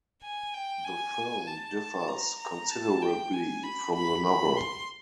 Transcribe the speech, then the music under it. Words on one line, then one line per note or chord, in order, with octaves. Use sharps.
The film differs considerably from the novel.
G#5
G5
G#5
A5
A#5
A#5
A5
G5
G#5
B5
B5
B5
C6